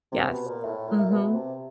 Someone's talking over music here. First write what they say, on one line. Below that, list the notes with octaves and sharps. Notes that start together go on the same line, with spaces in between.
Yes. Mhm.
C3
B2
A#2
A2 E5
A#2
E5
B2
B2
C3